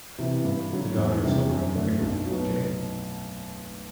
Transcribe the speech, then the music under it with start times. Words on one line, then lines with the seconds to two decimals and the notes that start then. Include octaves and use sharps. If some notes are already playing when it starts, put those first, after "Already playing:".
The daughter of soap opera creators William J.
0.18 C3 E3
0.44 G2
0.70 D3 F#3
0.96 E2
1.23 C3 G3 D4
1.49 F#2
1.75 D3 A3 D4
2.00 B1
2.26 B2 F#3